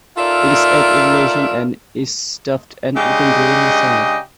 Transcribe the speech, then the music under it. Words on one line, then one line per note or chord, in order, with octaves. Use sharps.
It is at elevation and is staffed and open during the summer.
D#4 F4 A4 A#4 D5 E5
C#3 G#3 D4 G4 D#5